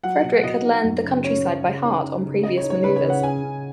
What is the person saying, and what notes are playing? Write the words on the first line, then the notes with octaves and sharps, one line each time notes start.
Frederick had learned the countryside by heart on previous maneuvers.
F#3 F#5
B2
B2 D#5
D#4
F#2
C#3
C#4 C#5
C#4
C#3
D#4
D#4
C#3
C#3 D#5
C#5
D#4
C#5
C#3 B4
C#5
C#3
F#5
C#3 G#5
C#3